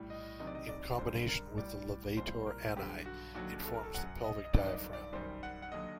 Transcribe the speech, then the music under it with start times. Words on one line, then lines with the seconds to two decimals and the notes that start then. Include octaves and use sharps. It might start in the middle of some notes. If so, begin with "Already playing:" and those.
In combination with the levator ani, it forms the pelvic diaphragm.
Already playing: A2 G3
0.10 D#5
0.39 D2 C3 D#3 F#3 D#5
0.47 D5
0.55 D#5
0.69 D5
0.98 F#2 D3 G3 C5
1.29 A#4
1.58 A2 G3 D5
2.17 C2 A#2 G3 C5
2.47 A#4
2.76 G2 D3 F#3 G4
3.06 F#4
3.35 D#2 D3 F#3 F#4
3.65 A4
3.74 A#4
3.84 A4
3.94 F#2 F#3 F#5
4.24 D#5
4.44 D#5
4.53 G2 D#3 F#3 D5
4.65 D#5
4.73 D5
4.93 D5
5.13 F#2 D#3 G3 C5
5.43 F#5
5.62 F#5
5.72 D#2 D3 F#3 D#5